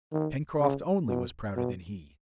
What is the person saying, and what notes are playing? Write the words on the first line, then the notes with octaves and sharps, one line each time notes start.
Pencroft only was prouder than he!
D#3
C#3
B2
B2